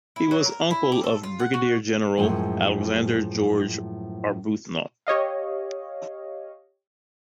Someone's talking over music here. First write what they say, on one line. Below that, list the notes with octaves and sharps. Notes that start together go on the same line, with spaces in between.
He was uncle of Brigadier-general Alexander George Arbuthnot.
E4
F#3
A#4
E4
G4
A4
F4
F#5
F#4
F#2 A2 F3 G#3 G#5
G4 C#5 D#5 F5